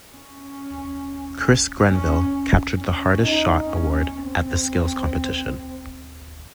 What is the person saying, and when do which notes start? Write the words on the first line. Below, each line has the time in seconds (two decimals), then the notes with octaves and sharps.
Chris Grenville captured the hardest shot award at the skills competition.
0.15 C#4
1.90 C#4
2.78 C#4
3.23 D#4
3.66 C#4
3.95 C#4
4.25 C4